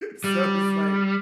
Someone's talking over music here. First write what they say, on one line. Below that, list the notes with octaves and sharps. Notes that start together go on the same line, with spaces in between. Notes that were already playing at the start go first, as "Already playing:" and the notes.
so it's like,
G3